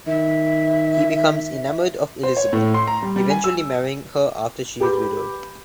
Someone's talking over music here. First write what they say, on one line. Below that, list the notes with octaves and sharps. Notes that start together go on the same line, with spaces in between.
He becomes enamoured of Elizabeth, eventually marrying her after she is widowed.
D#3 E5
C5
C#5
A2
C6
A#5
G3
G3
G#5
E6
G4 B4 B5 D6 G6